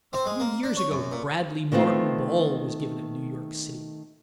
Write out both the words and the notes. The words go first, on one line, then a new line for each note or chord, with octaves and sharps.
A few years ago the "Bradley-Martin ball" was given in New York city.
C4
G#3
A#3
D4
C#5
F#2
A#2
D#3 A3 B3 C4 F4